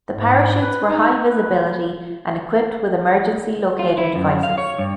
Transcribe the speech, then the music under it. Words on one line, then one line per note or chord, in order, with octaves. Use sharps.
The parachutes were high-visibility and equipped with emergency locater devices.
G#2
B4
D#4
B4
F4
E4
F#2
F5
C#5
G2